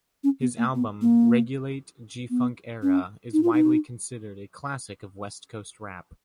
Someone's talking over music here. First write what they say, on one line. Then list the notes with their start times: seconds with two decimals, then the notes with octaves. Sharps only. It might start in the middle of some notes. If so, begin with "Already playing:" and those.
His album "Regulate...G Funk Era" is widely considered a classic of West Coast rap.
0.24 C#4
0.41 B3
0.58 A#3
0.75 B3
1.02 A#3
2.30 B3
2.82 C#4
3.33 D#4
3.43 F4
3.53 D#4